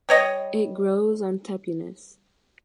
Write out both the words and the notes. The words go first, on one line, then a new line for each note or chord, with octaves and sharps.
It grows on tepuis.
G3 C#5 D#5